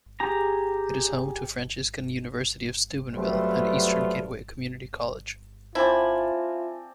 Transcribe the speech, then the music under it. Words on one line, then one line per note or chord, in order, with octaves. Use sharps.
It is home to Franciscan University of Steubenville and Eastern Gateway Community College.
G4 G#4 A#5
F#3 G3 A3 B3 C4 F4
C4 E4 F4 D5 G#5 A5